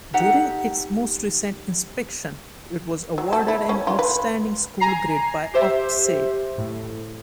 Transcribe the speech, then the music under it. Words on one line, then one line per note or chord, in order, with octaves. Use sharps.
During its most recent inspection it was awarded an Outstanding school grade by Ofsted.
D#4 G4 A4 F#5
F#3
A4
E4
C#4
F4
B4
G#5 A#5 C7
G4 C5 E5
A2